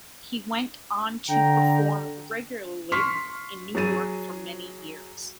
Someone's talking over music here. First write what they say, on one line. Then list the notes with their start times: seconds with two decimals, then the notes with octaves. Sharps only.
He went on to perform regularly in New York for many years.
1.29 D3 G5 A#5
2.92 C6 C#6 F6 B6 C7
3.75 F#3 G#4 A6 D#7